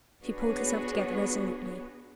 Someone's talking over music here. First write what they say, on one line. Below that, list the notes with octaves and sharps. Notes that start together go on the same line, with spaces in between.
She pulled herself together resolutely.
B3 D4 F#4 G#4 B4 C#5